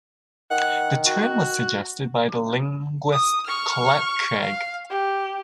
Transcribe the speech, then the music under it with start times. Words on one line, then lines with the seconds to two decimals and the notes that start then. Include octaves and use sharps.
The term was suggested by the linguist Colette Craig.
0.51 D#3 F#5
1.06 F#4
3.12 D#6
3.46 C#6 F6
4.41 F5
4.90 G4